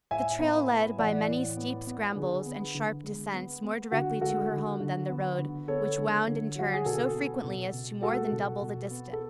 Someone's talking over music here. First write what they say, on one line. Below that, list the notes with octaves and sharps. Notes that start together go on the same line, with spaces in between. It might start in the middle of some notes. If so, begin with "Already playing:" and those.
The trail led by many steep scrambles and sharp descents more directly to her home than the road, which wound and turned so frequently as to more than double the distance.
A2 E5 G#5
B3
A2
E3 D5 F#5
A2
B3
B3
D3 G#4
B3
D3
G#3
B3
B3
D3 F#4
G#3 F#4 A4
D3
D3
B3
D3
B3 A4 C#5
D3
D3
F#3 F#4
G#4
B2 F#4 A4
B3
B2
B2
G#3 F#4 A4
B2
B2
B3
A4